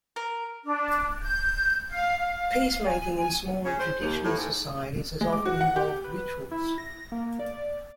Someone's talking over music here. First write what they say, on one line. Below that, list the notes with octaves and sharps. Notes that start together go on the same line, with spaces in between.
Peacemaking in smaller, traditional societies has often involved rituals.
A#4
D4
G6
F5
F5
G#5
G#5
C#3
C5
D#2
A2
G#2
G#3
D6
F#4
F#5
G4
B4
E4
A#6
A#3
D5